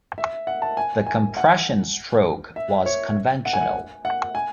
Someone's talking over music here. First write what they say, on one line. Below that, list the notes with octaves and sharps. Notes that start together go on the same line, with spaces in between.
The compression stroke was conventional.
E5
F#5
A5
G#5
G#5
F#5
E5
C#5
F#5
G#5
F#5
F#5
G#5